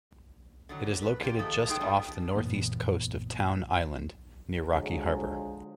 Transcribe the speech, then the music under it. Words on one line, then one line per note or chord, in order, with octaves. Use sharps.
It is located just off the northeast coast of Town Island near Rocky Harbour.
D3 D#3 F#3
B4
A#3 F4 G4
D#3 F3 G#3 A3 A4
G#3 A3 D#4 G#4 A4 G5
G3 B3 D4 A5
F#2 A#2 E3 A#3 B3
D3 F3 F#3 G#3